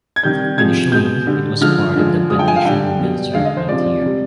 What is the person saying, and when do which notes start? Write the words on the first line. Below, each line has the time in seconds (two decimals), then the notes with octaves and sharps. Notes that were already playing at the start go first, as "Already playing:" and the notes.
Initially, it was part of the Banatian Military Frontier.
0.16 G#6
0.23 C3 D#3 G3 G6
0.57 C3 F3 G#3 G#6
0.92 B2 G#3 G6
1.26 D3 G3
1.61 D3 F3 G#3 F6
1.95 D3 F3 G#3
2.30 D3 F3 G#3 D#6
2.39 G5
2.48 G#5
2.56 F5
2.65 D3 G3 G5
2.99 B2 G3
3.34 D3 G#3 F5
3.45 D#5
3.57 C5
3.68 C3 F3 G#3 D5
4.03 C3 G3